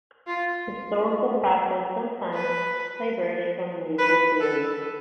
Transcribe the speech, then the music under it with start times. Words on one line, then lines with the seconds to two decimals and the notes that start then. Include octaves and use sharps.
Historical practice sometimes diverged from legal theory.
0.27 F4
2.33 B4
3.98 B4
4.40 A4